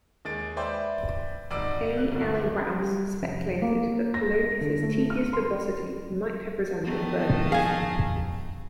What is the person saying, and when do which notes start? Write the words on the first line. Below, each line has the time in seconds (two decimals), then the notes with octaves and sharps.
A. L. Rowse speculated that Polonius's tedious verbosity might have resembled Burghley's.
0.25 D#2 G#3 A6 D7
0.56 B4 C5 D5 E5 G5 C6
1.51 G#1 D5 E6 D7
1.98 F#6
2.12 D1 G1
2.38 D#2
2.78 G3
3.22 F1
3.62 A#3
4.14 A#6
4.61 D3
4.82 A3
5.10 F6
5.33 C6
6.84 D#3 F3 A3 B3 D#4
7.52 G#4 F5 G#5